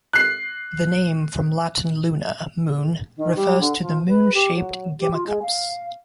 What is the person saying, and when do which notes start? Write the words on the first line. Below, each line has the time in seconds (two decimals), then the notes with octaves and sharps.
The name, from Latin "luna", moon, refers to the moon-shaped gemmacups.
0.13 F#6 C7
3.16 D#3
3.36 G3
3.60 D3
3.81 F3
4.08 B4
4.34 G4
4.55 F#3
5.00 G4
5.12 F4
5.26 G#3
5.42 F5